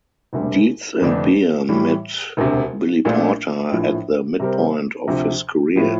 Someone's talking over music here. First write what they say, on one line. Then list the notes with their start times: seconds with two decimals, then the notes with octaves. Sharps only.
Dietz and Beer met Billy Porter at the midpoint of his career.
0.33 E1 D2 C3 G3
1.00 F1 F2 D3 A3 D4
1.69 A2 E3 G3
2.37 E1 D2 C3
3.05 A#1 A#2 A3 D4 F4
3.72 A#1 A2 F3
4.40 C3 G3 C4 G4 A#4
5.08 D2 C3 F3
5.76 A2 F3